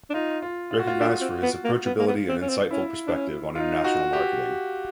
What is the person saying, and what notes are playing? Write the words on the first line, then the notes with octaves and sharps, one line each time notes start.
Recognized for his approachability and insightful perspective on international marketing.
D4
D#4 F4
F4
F4
F#4
F4
D4
C4
B3
A#3
B3
A#3
B3
C4
C#4
C4
C#4 E4
D4
C#4
D#4 F4
F#4
G4